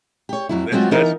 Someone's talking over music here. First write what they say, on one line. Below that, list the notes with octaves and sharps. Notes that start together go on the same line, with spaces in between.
That's, that's
G4 C#5
F2 F#3 E4
F#3 G#3 B3 C4 F4 F#4
E3 B3 D#4 A#4